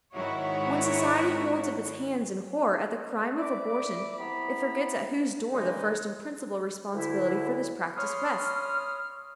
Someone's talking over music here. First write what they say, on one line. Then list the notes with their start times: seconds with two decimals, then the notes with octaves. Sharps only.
When society holds up its hands in horror at the "crime" of abortion, it forgets at whose door the first and principal responsibility for this practice rests.
0.15 G#2 D#3 E4 F#4 C#5
3.38 D5 E5 B5 D6
4.18 C3 B3 E4 A#5 B5
5.53 G2 C#3 E3 G#3 D#4
6.94 D2 D3 E4
7.97 C#5 B5 C6 D#6 F6